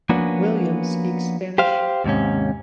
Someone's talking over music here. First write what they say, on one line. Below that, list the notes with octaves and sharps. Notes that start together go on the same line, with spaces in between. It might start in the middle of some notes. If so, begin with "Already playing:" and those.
Williams speaks Spanish.
F3 A#3 B3 C#4 D4 F#4
G4 C5 F5
D#2 G#2 C3 C#4